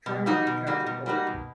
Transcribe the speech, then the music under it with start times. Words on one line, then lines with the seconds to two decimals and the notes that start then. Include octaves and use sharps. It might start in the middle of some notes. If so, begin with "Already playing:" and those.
Try not to catch a cold.
0.06 B2
0.26 G3 A#3 D#4 F#4
0.47 B2
0.67 G3 A#3 D#4 F#4
0.86 B2
1.06 G3 A#3 D#4 F#4
1.27 B2